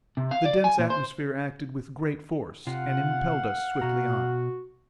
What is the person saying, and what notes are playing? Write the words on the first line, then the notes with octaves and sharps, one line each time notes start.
The dense atmosphere acted with great force and impelled us swiftly on.
C3
F5
D5
G#5
A#2
C5
C3 F4 F5 F#5
B2 F#4 A#5